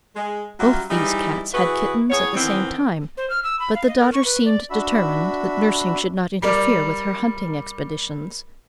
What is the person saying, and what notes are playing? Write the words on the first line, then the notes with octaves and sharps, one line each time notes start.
Both these cats had kittens at the same time, but the daughter seemed determined, that nursing should not interfere with her hunting expeditions.
G#3
F#3 G3 C#4 F4 G4 E5
E3 G3 G#3 D#4
E3 F#4 G#4 B4
A2 B3 G#4 C#5
D#3 E3 B3 C4
C5
F6
E6
B5
F5
D#5
A#4
C#6
B4
D5
D4 F#4 E5 B5 E6
G3 A#4 D5